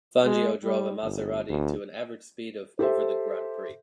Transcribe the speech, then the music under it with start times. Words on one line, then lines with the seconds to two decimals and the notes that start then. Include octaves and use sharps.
Fangio drove a Maserati to an average speed of over the grand prix.
0.25 G#3
0.64 G3
1.03 G1
1.49 D2
2.79 G4 A4 C5 E5